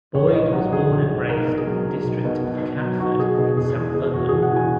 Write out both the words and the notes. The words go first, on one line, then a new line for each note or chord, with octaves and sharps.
Boyd was born and raised in the district of Catford in south London.
A#1 C#5
G#2 D#5
F#3 F#5
A#1 G#4
A#1
G#2
B1 A#4
B2
G#4
F#3
B1
B1
B2
B1
B2
F#3
B1 F#4
B1 G#4
B2 G#4
E1 G#4
E2 G#4
B2 G#4
E1 F#4
E1 G#4
F#5
E2 G#5